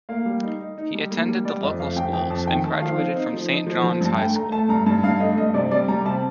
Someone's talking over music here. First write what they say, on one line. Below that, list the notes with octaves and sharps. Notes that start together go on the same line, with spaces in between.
He attended the local schools and graduated from Saint John's high school.
A#3 F5
G3
D#4
D#4
D#4
G3
A#3
G3
G3 D5
F2 D#5
F2 F5
F2 G5
F2 G5
F2 A5
D#3 G5
D#3 A5
F3 F5
C4
D#4
F3
D#4
F3
F3
G2
A3 G5
A3 A#5
A3 A5
G2 A#5
G2 A5
G2 F5
A3 D#5
G2 D#5
C3 D5
G3 D5
G3 A#5
C3 A5